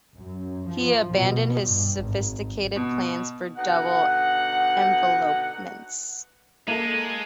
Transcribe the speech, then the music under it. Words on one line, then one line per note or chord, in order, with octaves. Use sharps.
He abandoned his sophisticated plans for double envelopments.
F#2
F3
B2
G2
G#1
B2
B2 D3 D#4 F#5
G#3 A#3 A4 D#7